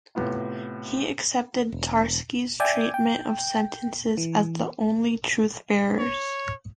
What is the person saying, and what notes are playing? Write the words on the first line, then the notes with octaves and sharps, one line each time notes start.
He accepted Tarski's treatment of sentences as the only truth-bearers.
A2 C3 B3 F4
E1
D5 E5 G5 G#5
G5
E3
C#5